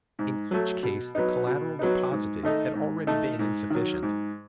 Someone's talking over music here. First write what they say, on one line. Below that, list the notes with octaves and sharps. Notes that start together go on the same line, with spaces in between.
In each case the collateral deposited had already been insufficient.
G#2
F#3 A3
B2
F#3 B3 D#4
B2
F#3 B3 D#4
G#2
D#3 A3 D#4 A4
G#2
D#3 A3 D#4 A4
G#2
D#3 F#3
G#2